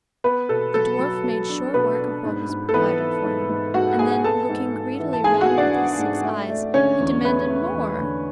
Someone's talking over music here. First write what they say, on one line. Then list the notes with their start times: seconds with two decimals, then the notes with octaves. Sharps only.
The dwarf made short work of what was provided for him, and then, looking greedily round with his six eyes, he demanded more.
0.24 B3 B4
0.49 B2 A4
0.74 F#3 A4
0.99 F#3
1.24 F#3
1.49 D4
1.74 B2 B3 B4
1.99 D4
2.24 G#2
2.49 G#2
2.69 A4
2.74 E3 B3 B4
2.99 E3
3.24 G#2
3.49 G#2
3.74 G#2 F#4 F#5
3.99 G#2 G#4 G#5
4.24 B3 A4 A5
4.49 G#2
4.74 G#2
5.00 E3
5.13 A5
5.24 G#2 G#4 G#5
5.41 F#4 F#5
5.49 E3
5.58 D4 D5
5.75 B3
5.99 G#2
6.24 A3
6.49 A3
6.74 D3 C#4 C#5
7.00 E2
7.24 A3 B3 B4
7.49 A3
7.74 E2
8.00 D3